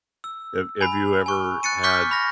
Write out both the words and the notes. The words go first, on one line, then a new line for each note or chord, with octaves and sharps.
Have have you ever had,
E6
G#5 B5
G#5 C#6
F#6 A6 C#7 D#7
C#6 D6 F6 G6 B6
B5 F6 G6 A#6